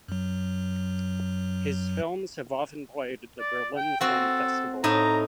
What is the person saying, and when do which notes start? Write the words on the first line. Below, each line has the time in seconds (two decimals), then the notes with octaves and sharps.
His films have often played at the Berlin Film Festival.
0.08 F#2 F#3
3.39 D5
3.76 G5
4.01 C4 F#4 A4
4.84 A2 D#4 A#5